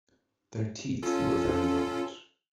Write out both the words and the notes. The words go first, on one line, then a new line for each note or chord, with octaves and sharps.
Their teeth were very large.
C#4 F4 A4